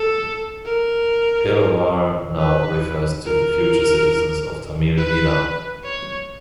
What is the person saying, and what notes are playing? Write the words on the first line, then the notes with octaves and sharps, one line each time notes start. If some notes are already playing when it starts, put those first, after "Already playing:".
Eelavar now refers to the future citizens of Tamil Eelam.
Already playing: A4
A#4
B4
A#4
B4
C#5